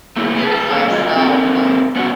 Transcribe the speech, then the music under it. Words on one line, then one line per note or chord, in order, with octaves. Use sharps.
forgiving myself, like
A3 A#3 E4 G4 G#4
G#4 B4 G#5 A5
A#3 C#4 A4 C#5 F5
F4 F#4 G#4 A#4 D#5
C4 D#4 A4 A#4
B3 C#4 F4 F#4